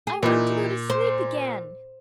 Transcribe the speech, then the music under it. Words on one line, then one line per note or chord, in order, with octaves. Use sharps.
"I want to go to sleep again."
G#4
A#2 E3 D#4
C5